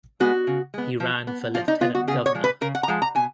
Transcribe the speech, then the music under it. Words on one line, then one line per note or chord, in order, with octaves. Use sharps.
He ran for Lieutenant Governor.
G#3 B3 F#4
C#3
G#3 B3
F3
B3
F3 F4
D#4
B3 F4
F#4
C#3 G#4
C#5
F3 G#3
B4
C#3 A#4
F#5
A#5
F3 G#3
A#5
B2 G#5